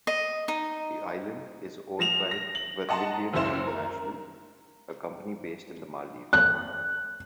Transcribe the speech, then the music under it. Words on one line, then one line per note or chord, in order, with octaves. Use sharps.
The island is owned by Vermilion International, a company based in the Maldives.
D#5
D#4
F3 A#6 E7 F7
A#6
F#7
D#5 F#5 A5 A#5 C6
F#1 C#2 F#2 E4 C5 E7
A#4
F#6